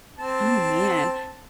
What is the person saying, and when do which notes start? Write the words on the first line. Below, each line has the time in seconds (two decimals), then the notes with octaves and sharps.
Oh, man.
0.19 C4 A5